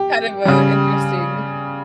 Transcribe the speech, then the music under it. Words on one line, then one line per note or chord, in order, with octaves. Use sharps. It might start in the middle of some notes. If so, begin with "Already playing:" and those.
kind of a interesting
Already playing: G4
C#3 G3